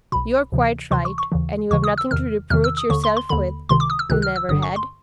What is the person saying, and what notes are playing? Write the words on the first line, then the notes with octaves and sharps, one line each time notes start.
You're quite right, and you've nothing to reproach yourself with--you never had.
B1 B2 B5
D2 C3 E3
D2 C3 E3 C6
C#6
C#6
D#2 C#3 E3
D#2 C#3 E3 C#6
D#6
E6
E2 C3 D#3 F6
E2 C3 D#3 F6
E6
D#6
D#2 D3 C#6
C6
C6
D#2 D3 B5
C#2 C3 D#3 C6
D6
D#6
E6
C#2 C3 D#3 F#6
F6
E6
G1 G2 D3 D#6
C#6
C6